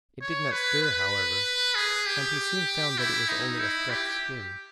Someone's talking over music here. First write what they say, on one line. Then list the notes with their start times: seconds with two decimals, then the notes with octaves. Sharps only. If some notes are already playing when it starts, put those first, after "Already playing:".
It did not stir, however, and he soon found that it was only a stuffed skin.
0.21 C#5
0.52 B4
0.83 B4
1.75 G#4
2.06 G4
2.98 E4
3.29 D#4
3.59 E4
3.90 G4